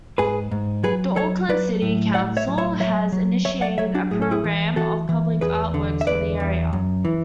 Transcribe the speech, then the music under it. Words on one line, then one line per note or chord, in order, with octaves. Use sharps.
The Auckland City Council has initiated a programme of public artworks for the area.
G#2 G#4 B4
G#2
F#3 G#4 B4
F#3 A4 C#5
F#3 B4 D5
A2
A2 D5 F#5
C#5 E5
F#3
C#5 E5
F#3 C#5 E5
F#3
F#3 C#5 E5
D5 F#5
F#3 C#5 E5
D4 F#4
A2 G#4
A4
E4 G#4
E3
E3 F#4 A4
E3
E2 G#4 B4
D3
E5
E2 B4 D5
E2
F#2
E3